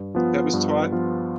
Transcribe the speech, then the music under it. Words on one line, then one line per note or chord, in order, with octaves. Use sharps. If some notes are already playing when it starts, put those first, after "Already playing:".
that was taught.
Already playing: G2
F3 B3 F4
G2
F3 B3 F4